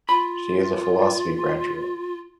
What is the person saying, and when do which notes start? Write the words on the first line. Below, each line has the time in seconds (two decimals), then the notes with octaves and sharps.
She is a philosophy graduate.
0.09 F4 B5